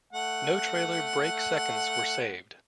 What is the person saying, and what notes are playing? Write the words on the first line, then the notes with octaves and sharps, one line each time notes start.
No Trailer Brake Seconds were saved.
A3 F#5